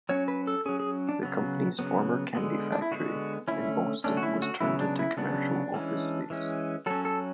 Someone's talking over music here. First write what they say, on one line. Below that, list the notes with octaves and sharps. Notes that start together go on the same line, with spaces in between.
The company's former candy factory in Boston was turned into commercial office space.
F#3 C#4 C#5
B4
A4
F#3 C#4 G#4
G#4
D4
C#3 F#3 B3
C#3 F#3 B3
D3 G#3 B3
D4
E4
D3 G#3 B3 F#4
D3 A3 C#4 E4
D3 A3 C#4 D4
F#4
E4
F#4
C#3 F#3 B3 E4
D4
E4
C#3 F#3 B3 D4
E3 G#3 C#4
E3 G#3 C#4
F#3 C#4 A4
A4